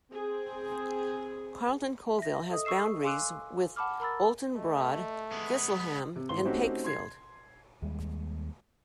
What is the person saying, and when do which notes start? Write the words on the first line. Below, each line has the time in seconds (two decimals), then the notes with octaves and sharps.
Carlton Colville has boundaries with Oulton Broad, Gisleham and Pakefield.
0.12 C4 G#4
2.19 E5 A#6
2.50 A4 D#5 D#6
2.65 C#6 E6 C7 E7
3.03 F5 G#5 C6 D6 E6 F#6
3.76 F#5 A5 B5 D6 F6
4.00 A#4 A#5 B5 E6 A6
4.56 A3 D#5
5.32 G#3 B3 D#6
6.16 C3
6.29 G#1 E3 C6 G7
6.45 A3 C4 C#4 D#4 F#4 G4
6.84 C6 G#6 C7
7.82 D#2 G3 G#3